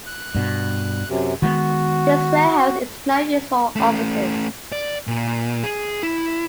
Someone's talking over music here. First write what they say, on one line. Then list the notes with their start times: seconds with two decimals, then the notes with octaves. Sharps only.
This warehouse is now used for offices.
0.07 F#6
0.35 G2 B2
1.09 F#2 C3
1.42 D#3 G#3 B3 F#4
3.76 A3 C#4
4.72 D5
5.07 A#2
5.63 G#4
6.03 E4